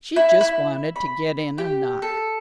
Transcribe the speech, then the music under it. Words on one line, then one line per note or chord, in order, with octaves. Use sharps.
She just wanted to get in a knock.
E4
E4
B5
G4
A4